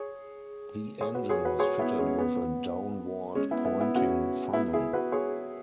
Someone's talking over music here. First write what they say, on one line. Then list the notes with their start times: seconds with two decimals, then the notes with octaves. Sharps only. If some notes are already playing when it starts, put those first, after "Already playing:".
The engine was fitted with a downward-pointing funnel.
Already playing: G#4 C#5
1.01 G#4 C#5
1.15 F#4 B4
1.29 G#4 C#5
1.45 F#4 B4
1.59 G#4 C#5
1.79 B3 E4
1.99 G#3 C#4
2.18 B3
3.35 G#3 C#4
3.51 B3 E4
3.65 B3 E4
3.80 B3 E4
3.95 C#4 F#4
4.53 B3 E4
4.73 E4 G#4
4.93 F#4 B4
5.12 G#4 C#5